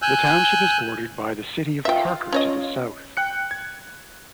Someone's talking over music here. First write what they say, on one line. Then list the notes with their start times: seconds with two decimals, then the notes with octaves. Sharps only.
The township is bordered by the city of Parker to the south.
0.02 G#5 E6 F#6 G6
1.85 F4 E5 F5 G5
2.33 C#4 C#5 D#5
3.17 G5 F#6 C#7
3.51 G#6